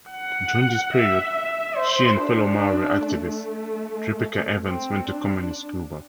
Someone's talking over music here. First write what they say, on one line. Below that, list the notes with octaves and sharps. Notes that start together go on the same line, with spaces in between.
During this period she and fellow Maori activist Ripeka Evans went to Communist Cuba.
F#5
E5
E5
C5
D4
A3
C4
D4